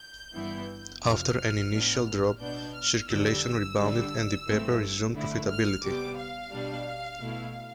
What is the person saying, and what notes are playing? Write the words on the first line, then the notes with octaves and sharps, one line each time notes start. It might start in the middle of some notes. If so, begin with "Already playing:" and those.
After an initial drop, circulation rebounded and the paper resumed profitability.
Already playing: G6
G2 E3 B3 E4
F2 C3 F3 F6
A2 E3 B3 D4
B2 B3 D4 G6
F6
F2 D3 G3 D4 E6
D3 G3 D4
G2 E3 A3 C4
D3 A3 E4
F6
C3 G3 B3 D6
F5
B2 G3 D4
B2 A3 E4